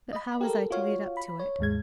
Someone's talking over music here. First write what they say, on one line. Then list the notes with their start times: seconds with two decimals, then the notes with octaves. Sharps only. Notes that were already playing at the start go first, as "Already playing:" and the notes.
But how was I to lead up to it?
0.13 D#5 B5
0.41 G4 A4 A#4
0.70 F4 F#4 C#5 F5
1.17 B5
1.40 C#5
1.59 D#2 G#2 G#3 G#6